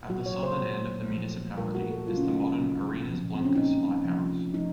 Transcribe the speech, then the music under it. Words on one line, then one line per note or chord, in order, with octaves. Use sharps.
At the southern end of the municipality is the modern Arenas Blancas Lighthouse.
A#2 F#3 A#3 F#4
C#5
C5
A#2 F#3 A#3
A#2 F3 A3
A#2 F3 A3 A#4
F#4
A4
C#3 F#3 A3 F4
C#4
D#4
C#4
C#3 F#3 A3
A#2 F3 A#3
C4
C#4
A#2 F3 A#3 D#4
C3 F3 A3
F3 A3 D#4